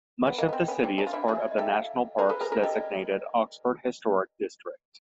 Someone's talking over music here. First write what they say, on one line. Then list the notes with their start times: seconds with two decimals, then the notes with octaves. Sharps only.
Much of the city is part of the National Parks-designated Oxford Historic District.
0.27 B3
0.38 A#3 D#5
0.49 B3
0.53 C4
0.60 G5
0.68 B3 C#4
0.72 G#5
0.83 C4 D4 G5
0.98 C#4 D#4
1.07 F4
1.13 D4 E4
1.28 F#4 G#4 E5
1.40 D5
1.51 D#5
1.58 G4 A4 E5
1.73 F5
2.18 G#4 A#4 C5
2.29 A4 B4
2.40 G#4 A#4 B4
2.52 G#4 A#4
2.63 G4 A4 D#5
2.74 D5